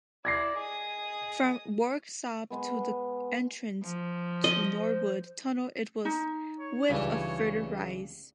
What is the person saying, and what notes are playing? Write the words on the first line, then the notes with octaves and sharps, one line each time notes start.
From Worksop to the entrance to Norwood Tunnel it was with a further rise.
E4 D5 G#6 A#6 C7
G#4 D#5 D#6
G#3 B3
F3
D#5
C5
D#4
C#5
C#2 C#3 E3 G3 D4